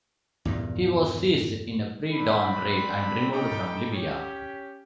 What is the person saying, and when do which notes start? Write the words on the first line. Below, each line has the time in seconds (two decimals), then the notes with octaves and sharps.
He was seized in a pre-dawn raid and removed from Libya.
0.45 E2 G2 A#2
2.13 C4 D4 B5
3.31 A3 D#4 A4 G5 B5 D6
3.92 C#4 G4